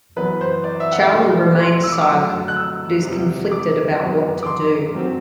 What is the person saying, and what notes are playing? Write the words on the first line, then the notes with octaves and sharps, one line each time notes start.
Charlie remains silent, but is conflicted about what to do.
F#2 E3 B3 B4
C5
D5
E5
F#5
E5
B2 A3 D4
C6
E6
D6
E6
F#2 D3 F#3 A3
F#6
E6
E2 C3 G3
D6
F#2 E3 B3 D4
D6
C6
G2 F#3 C4